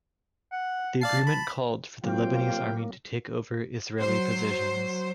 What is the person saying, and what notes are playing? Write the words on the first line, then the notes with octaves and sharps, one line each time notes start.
The agreement called for the Lebanese Army to take over Israeli positions.
F#5
D5 F5 A5 C7
B5
C3 F#3 A#3 C4 F4 F5 G5
F#3 C5